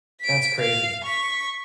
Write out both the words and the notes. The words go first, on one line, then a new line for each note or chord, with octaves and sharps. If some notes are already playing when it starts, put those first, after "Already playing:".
That's crazy.
B6 D7
F5
C#6 B6